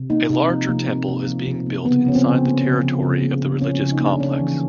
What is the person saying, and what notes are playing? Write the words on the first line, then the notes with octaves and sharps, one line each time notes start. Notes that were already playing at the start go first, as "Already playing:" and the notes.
A larger temple is being built inside the territory of the religious complex.
Already playing: C3
A#3 D#4
C3 D#4
F3
C3 A#3
A#3
C3
F3
C3
A#3
C#3 B3
F3 C#4
C4
C#3
A#3
C#3
F3
C#3
A#3
C#3
F3 C#4
C#3
D#4
A#3
D4
C#3 C#4
E3